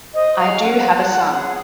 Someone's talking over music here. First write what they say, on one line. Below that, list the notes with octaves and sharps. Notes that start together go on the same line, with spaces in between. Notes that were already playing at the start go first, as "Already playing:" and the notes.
I do have a son.
C5 D#5
C5
F5
G#4
C#4 F#5
C5
C5
F4
G#4
C#5